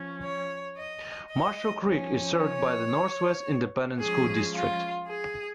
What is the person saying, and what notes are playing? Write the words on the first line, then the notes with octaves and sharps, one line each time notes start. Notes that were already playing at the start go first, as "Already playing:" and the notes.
Marshall Creek is served by the Northwest Independent School District.
Already playing: F3 C#4
C#5
D#5
D#5
F3 C#4
C#5
F3 G#3 C#4 G#4
F4
G#4